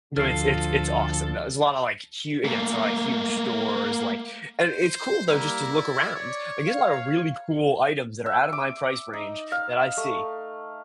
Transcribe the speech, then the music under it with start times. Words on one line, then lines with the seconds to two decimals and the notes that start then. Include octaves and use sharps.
no, it's it's it's awesome though. There's a lotta, like, hu again, they're like, huge stores, like and it's cool though just to look around. Like, there's a lotta really cool items that are out of my price range that I see,
0.17 D2 F3 A4 F6 C7
2.44 A3 A#3
4.60 C5
5.28 G3 A#3 E4 A#4
5.73 D5
6.16 C#5
6.67 F5
8.26 E5
8.53 D6
9.13 D#4
9.52 F5
9.97 A3